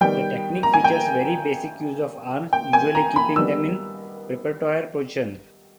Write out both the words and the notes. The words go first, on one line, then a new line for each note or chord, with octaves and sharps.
The technique features very basic use of arms, usually keeping them in preparatoire position.
D#3 G3 B3 G5
A#5
G#5
G5
G5
G#5
A#5
B5
D#3 G3 B3 E6